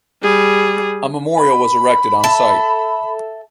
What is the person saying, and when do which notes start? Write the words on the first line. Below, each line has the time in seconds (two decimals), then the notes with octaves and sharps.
A memorial was erected on site.
0.23 G3 G#4
1.35 B5
2.24 A4 E5